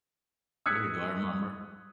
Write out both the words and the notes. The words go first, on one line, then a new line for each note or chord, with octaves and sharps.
there you go. I remember.
D#6 E6 F#6 G#6 B6 C#7